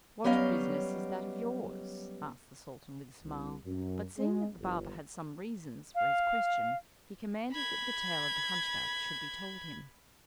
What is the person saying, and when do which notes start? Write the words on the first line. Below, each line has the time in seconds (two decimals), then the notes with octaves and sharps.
"What business is that of yours?" asked the Sultan with a smile; but seeing that the barber had some reasons for his question, he commanded that the tale of the hunchback should be told him.
0.24 F#3 G3 B3 C#4 D#5 F5
3.23 C2
3.66 F#2
4.18 G#3
4.59 G1
5.95 F5
7.52 B5 G#6